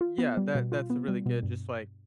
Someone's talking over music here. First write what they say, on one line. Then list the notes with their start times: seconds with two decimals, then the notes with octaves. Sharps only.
Yeah, that that's a really good just, like,
0.01 F4
0.18 B3
0.37 G3
0.55 B2
0.72 F4
0.90 B3
1.08 G3
1.26 B2
1.43 G2